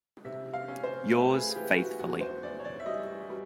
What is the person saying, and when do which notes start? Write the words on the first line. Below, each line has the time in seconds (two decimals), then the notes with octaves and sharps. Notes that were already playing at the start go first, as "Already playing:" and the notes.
Yours faithfully.
0.25 C3 E5
0.54 F5
0.68 C#4
0.83 C5
1.12 A3 B4
1.34 G#4
1.49 G#4
1.55 E3 G4
1.78 F#4
1.99 E2 F#4
2.21 C5
2.43 E2 D5
2.60 C#5
2.65 D5
2.80 E5
2.86 G3 D#5
3.30 G3